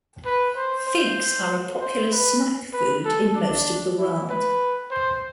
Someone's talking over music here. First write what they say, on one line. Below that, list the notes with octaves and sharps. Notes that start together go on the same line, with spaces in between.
Figs are a popular snack food in most of the world.
B4
C5
C5
C5
B4
B4
A4
D4
E4
B4
C5